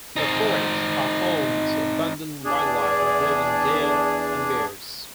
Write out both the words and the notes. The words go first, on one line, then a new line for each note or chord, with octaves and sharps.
The forests are home to abundant wildlife, including deer and bears.
C4 D#4
E2 D4 G#4